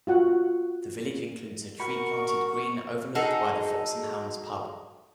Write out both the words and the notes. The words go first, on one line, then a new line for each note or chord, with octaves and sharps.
The village includes a tree-planted green overlooked by the Fox and Hounds pub.
F4 F#4 F#5
F#4 A#4 B5 C#6
D#4 F#4 G#4 A4